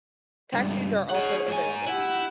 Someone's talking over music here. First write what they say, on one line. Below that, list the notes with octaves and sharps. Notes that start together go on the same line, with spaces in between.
Taxis are also available.
C#2 G2
G#4 C#5 D#5 F#5
G#2 G#5
E4 G4 F#5